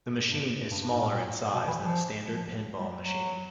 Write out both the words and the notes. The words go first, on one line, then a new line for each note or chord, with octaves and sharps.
The machine is smaller in size than a standard pinball machine.
G2
G2
G2
G#2
A2
A#2
B2
E3
F3
F3
G3
F#3